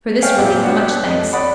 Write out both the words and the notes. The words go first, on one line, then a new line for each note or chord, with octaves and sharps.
For this relief much thanks.
C#5 F5 G5 G#5
A#2 G3 C4 E5 F#5
B3 D4 F#4 G4 C#5 F#5
F2
C#5 D5 F#5 B5 D#6